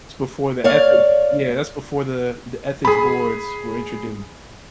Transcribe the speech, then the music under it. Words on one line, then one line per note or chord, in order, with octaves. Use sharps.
It's before the ethics Yeah, that's before the the ethics boards were introduced,
C#5 D5 F5
G#4 B5